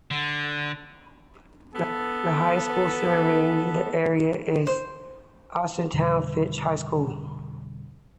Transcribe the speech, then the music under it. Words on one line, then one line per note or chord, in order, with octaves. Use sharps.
The high school serving the area is Austintown-Fitch High School.
D3
B3 A4
C5
F2 B2 D3 G3